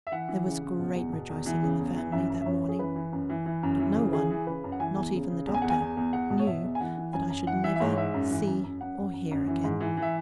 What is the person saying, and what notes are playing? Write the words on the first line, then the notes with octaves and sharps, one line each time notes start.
There was great rejoicing in the family that morning, but no one, not even the doctor, knew that I should never see or hear again.
E5
E3 F#5
E3
C#3
C#3
B2
E2
B2
E2
E3
C#3
E2
E3
F#2 E5
F#2
E5
F#2 C#5
F#2
G#4
E3 B4
E3
F#2
E3
E3
F#2
E3
C#3
E3 G#4
E3
C#3 B4
F#2
F#5
E3 G#5
E2
C#3
C#3
E2
G#5
E2 F#5
G#5
E2
E2
E2 F#5
B2
C#5
B2 E5
E2
G#5
E3 F#5
E3
F#2 G#5
F#2
E3 F#5
E3 E5
E5
G#2 C#5
C#5
G#2 E5
F#2
E3
F#2
F#2
F#2 F#5
F#2
F#2
F#2
E3
G#2
E3
E3
E5